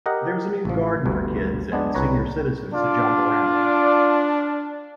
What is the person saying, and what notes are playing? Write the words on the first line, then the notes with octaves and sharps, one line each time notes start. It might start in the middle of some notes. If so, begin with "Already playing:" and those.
There is a new Garden for kids and senior citizens to jog around.
G4 A#4 D#5 F#5
A1 F3
G1 D2 G2
G#3 B3 D4
C2 B4 C#5 A#5
D4 F4 D5